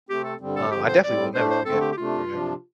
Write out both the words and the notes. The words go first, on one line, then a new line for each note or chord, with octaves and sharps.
uh, I definitely will never forget her, ever,
C3 A3 C4 G4
A4
G2 D3 G3 C4
A4
G2 D3 F3 C4 G4
C5
A2 G3 C4 D5
A2 A3 D4 C5
C5
D3 A3 C4 A4
G4
G4
C3 A3 D4 F4
C3 F3 D4